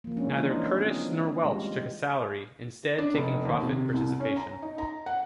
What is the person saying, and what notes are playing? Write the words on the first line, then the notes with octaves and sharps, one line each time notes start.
Neither Curtis nor Welch took a salary, instead taking profit participation.
F3 A#3
F3 G#3 C#4 D4
E3 D4 D#4 F4
C4 G#4
D#5
G3 G#3 F4 G4
D4
F1
D#2
C3
C2
C#4
A#5
D#4
A#5
F#5